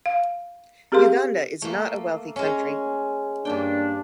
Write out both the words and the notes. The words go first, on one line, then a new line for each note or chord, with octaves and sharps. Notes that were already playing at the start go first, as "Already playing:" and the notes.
Uganda is not a wealthy country.
F5
C4 G4 G#4 A#4 F5 C6
A3 A#3
G#3 C#4
G2 A#3 D4 G5